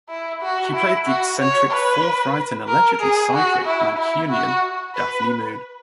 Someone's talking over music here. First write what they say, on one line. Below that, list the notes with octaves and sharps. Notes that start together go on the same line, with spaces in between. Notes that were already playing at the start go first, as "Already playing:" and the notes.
She played the eccentric, forthright, and allegedly psychic Mancunian Daphne Moon.
E4
F#4
E4
F#4
C#5
B4
A#4
G#4
F#4
E4
E4
F#4
B4